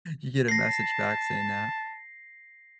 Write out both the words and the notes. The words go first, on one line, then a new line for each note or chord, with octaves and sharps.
you get a message back saying that.
A5 A#6 C7